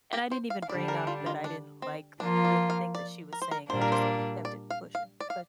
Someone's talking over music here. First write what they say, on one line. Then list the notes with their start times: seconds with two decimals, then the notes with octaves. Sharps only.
And I didn't even bring up that I didn't like the thing that she was saying, I just kept it pushing, but
0.13 G4
0.31 C5
0.50 F5
0.62 F5
0.69 D3 G3 D4 D5
0.88 A#4
1.07 F4
1.26 F4
1.44 D4
1.82 C4
2.20 F3 A#3 D4 F4
2.45 D5
2.70 F5
2.95 D5
3.33 A#4
3.42 C5
3.51 A#4
3.70 A#2 G3 A#3 D4 C5
3.81 A#4
3.92 C5
4.45 D5
4.70 F5
4.95 F5
5.20 D5
5.30 F5